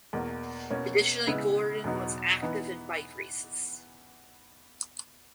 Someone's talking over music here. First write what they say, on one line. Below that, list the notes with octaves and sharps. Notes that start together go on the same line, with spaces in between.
Additionally Gordon was active in bike races.
E2 B2 A#3
B2 A#3 C#4
C#3 G#3 B3 E4
E2 B2 F#3 B3 D#4
E3 B3 D#4